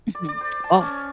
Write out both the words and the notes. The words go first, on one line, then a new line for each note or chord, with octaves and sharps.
Mhm Oh.
D5
D5
C5
A5
C#4